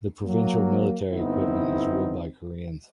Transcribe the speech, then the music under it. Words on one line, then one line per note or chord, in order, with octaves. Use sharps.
The provincial military equipment is ruled by Koreans.
F#3 A#3
G1 B3 C4 D#4 E4